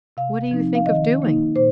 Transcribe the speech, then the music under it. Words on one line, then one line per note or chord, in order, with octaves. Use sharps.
'What do you think of doing?'
C3 F5
F3 C4 D#4
F5
D#3 D#5
A#3 D#4
A#2 C5